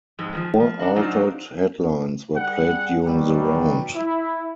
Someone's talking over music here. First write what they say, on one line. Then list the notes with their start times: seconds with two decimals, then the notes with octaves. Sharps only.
Four altered headlines were played during the round.
0.19 F2 G#2 G#3
0.33 A#2 D#3 F3
0.60 F3
0.79 D4 F#4
0.96 A#2 F#3 D4 D#4 F4 C5
2.36 G3 G#4 F#5
3.05 B2 D#3 F#3 G3
3.95 E4